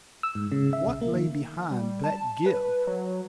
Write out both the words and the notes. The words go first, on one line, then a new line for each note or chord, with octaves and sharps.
What lay beyond that give?
E6
G#2
C#3
E5
B1
A#3
D#3
G3
A5
B4
F#3